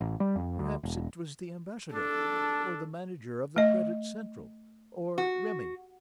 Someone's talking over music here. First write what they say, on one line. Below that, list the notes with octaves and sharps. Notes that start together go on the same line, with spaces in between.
"Perhaps it was the ambassador ... or the manager of the Credit Central ... or Remy."
A1
G3
F2
D2
E1
D4 A4
A3 D#5
F#4